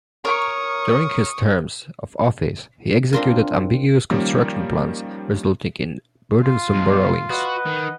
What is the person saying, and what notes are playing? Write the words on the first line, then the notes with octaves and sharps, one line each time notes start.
During his terms of office he executed ambitious construction plans resulting in burdensome borrowings.
A#4 C#5 C#6 D#6
C4 D4 F4 A#4
D#3 F3 G3 A#3 C#4
F4
B1
F#4 B4 D#5 F#5
D#3